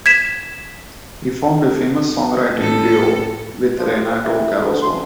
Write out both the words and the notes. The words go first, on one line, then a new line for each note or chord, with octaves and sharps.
He formed a famous songwriting duo with Renato Carosone.
G#6 B6 E7
A2 A4
F3
E4
D2
C6